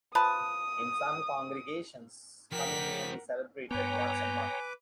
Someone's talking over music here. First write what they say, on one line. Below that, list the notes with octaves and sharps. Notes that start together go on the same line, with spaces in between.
In some congregations communion is celebrated once a month.
F3 B4 A5 D#6
F3 G4 A#4 F#5 B6
G2 B3 B4 C#5 G5 G#5 A#5 D6